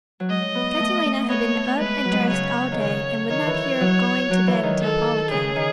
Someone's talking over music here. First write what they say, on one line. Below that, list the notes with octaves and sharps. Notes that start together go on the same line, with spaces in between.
Catalina had been up and dressed all day and would not hear of going to bed until Paula came.
F#3
G#3 D#5
B3
A3
A3
B3 C#5
A3
G#3 B4
F#3
G#3
F#3
C#3 C#5
D#3
C#3 C#5
D#3 C#5
E3
F#3
F#3
E3
D#3
A4
C#3 G#4
D#3